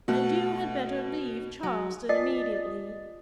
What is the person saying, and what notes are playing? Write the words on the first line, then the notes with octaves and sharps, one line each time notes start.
And you had better leave Charleston immediately.
B2 A3 F#5
F#3
F4 D5 D#5 D#6 A6